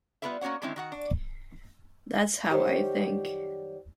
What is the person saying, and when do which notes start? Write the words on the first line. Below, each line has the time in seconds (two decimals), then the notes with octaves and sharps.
That's how I think.
0.22 G3 B3 F4 A#4 B4 E5
0.41 A#3 C#4 F#4 C#5 F#5
0.62 D3 D#3 G#3 C4 C#4 E4
0.76 D#3 F#4 F#5
0.92 D4
2.50 D#3 F#3 G3 G4 C5 C#5